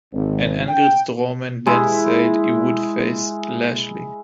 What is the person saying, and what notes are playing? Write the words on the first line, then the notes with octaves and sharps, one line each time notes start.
An angered Strowman then said he would face Lashley.
G#1
G5
G#3 E4